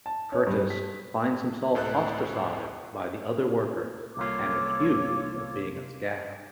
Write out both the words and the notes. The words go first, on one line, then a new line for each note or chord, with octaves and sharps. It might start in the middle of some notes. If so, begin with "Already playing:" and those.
Curtis finds himself ostracised by the other workers and accused of being a scab.
A5
C#4
G2
B6
C#2 A2 A4 C5 F#6
C2 A#3 F4 A4 C#5 D6